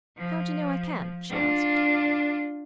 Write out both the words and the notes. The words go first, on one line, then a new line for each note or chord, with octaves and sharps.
"How do you know I can?" she asked.
F3
D4 F4